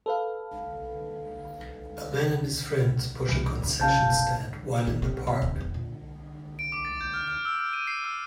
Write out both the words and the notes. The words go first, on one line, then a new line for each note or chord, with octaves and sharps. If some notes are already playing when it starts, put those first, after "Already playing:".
A man and his friend push a concession stand while in the park.
A4 B4 F5
C2 E3
D1 D2
A#1 C#4 F5 A5 G6
F#1
D#3
C3
C3
D1
E2
A#2
D7
D6
A6
G6
F6
F6
E6
F6
D#7
C7
E6